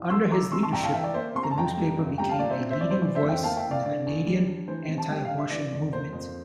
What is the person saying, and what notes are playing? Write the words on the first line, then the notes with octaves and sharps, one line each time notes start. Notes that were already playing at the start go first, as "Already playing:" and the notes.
Under his leadership, the newspaper became a leading voice in the Canadian anti-abortion movement.
Already playing: C2
A3 C6 E6
E4 A#5 D6
C3 C6 E6
A5 C6
C2 G5 A#5
F5 A5
E3 E5 G5
D5
A#3 C5 E5
C3 C6
A#5
A5
F2 G5 A#5
G3
F2
G3 G5 A#5
F5 A5
A#2 D5
C5 E5
C4
C5 E5
E4 D5
C5
E3 D5
C5 E5
F2
E5 G5
A#3 F5 A5
E5 G5
E4
D5 F5
D3 D5
E2
G3
D4
E3 C5
C3
A5
G3 G5
D4 F5
E5
E3 D5
F2
A#3 C5
F2